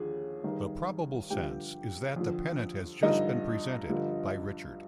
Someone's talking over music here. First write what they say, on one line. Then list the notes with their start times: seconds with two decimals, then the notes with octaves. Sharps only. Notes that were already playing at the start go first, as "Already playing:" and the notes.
The probable sense is that the pennant has just been presented by Richard.
Already playing: D#2 D3 F3 G#4
0.44 G2 D#3
1.30 G2 D3 F3 G4 G5
2.16 F2 D3 F3
3.03 G2 D3 F3 D#4 D#5
3.89 G2 D3 F3